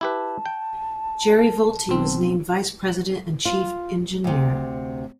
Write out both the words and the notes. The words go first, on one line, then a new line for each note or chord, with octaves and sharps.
Jerry Vultee was named vice president and chief engineer.
E4 G4 B4 A5
G5
B1 C4
F4
D2 C3